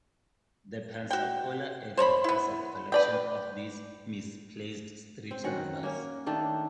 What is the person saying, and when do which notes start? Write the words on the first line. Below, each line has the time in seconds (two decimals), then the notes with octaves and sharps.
The Pensacola area has a collection of these "misplaced" street numbers.
1.11 F#4 G5
1.97 C5 C#5 A#5 B5
2.24 B3 E4
2.92 B4 D5 G5
5.31 C4
5.44 D#3 C#4 F#4 F#5
5.83 A#3 C#4
6.26 D#3 A3 D4